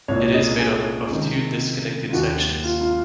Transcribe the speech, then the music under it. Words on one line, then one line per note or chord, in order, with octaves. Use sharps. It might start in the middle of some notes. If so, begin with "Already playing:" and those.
It is made up of two disconnected sections.
C2 A#2 C#5
C#5
D#5
G#4
C#2 C3 D#3
F4
D#2 D#3 F#4
F4
F4